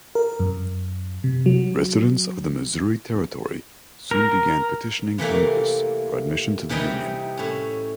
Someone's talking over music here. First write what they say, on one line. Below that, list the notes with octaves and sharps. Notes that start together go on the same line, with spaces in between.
Residents of the Missouri Territory soon began petitioning Congress for admission to the Union.
A#4
F#2
C3
F#3
A#4
C3 E3 A3 A#3
C3 E3 G3 D#4
A2 C#4